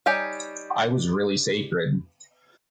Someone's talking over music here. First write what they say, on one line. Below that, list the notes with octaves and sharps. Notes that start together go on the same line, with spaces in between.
I was really sacred!
G3 D#4 G4 C#5 G#5